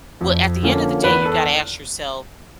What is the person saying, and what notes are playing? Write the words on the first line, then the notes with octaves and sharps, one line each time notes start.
well, at the end of the day, you gotta ask yourself,
F2
D3 F3 A#3 C#4
E2 B4
A4